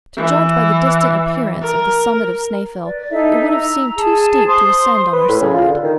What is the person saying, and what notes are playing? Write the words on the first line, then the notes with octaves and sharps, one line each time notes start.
To judge by the distant appearance of the summit of Snaefell, it would have seemed too steep to ascend on our side.
E3
A#4
B4 D5
D#4 E4 A4 E5
A#5 E6
G#4 A5
C5 C6 D#6
B4
A2
C#3
F4
D3
D#3